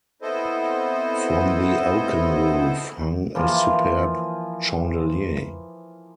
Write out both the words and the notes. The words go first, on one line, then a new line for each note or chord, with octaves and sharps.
From the oaken roof hung a superb chandelier.
B3 C4 E4 A4 C5 D#5
E3 F3 A#3 F4